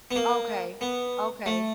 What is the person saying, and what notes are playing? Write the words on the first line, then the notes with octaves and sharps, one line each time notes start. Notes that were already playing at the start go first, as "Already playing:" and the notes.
Okay, okay.
B3
A#3
B3
A3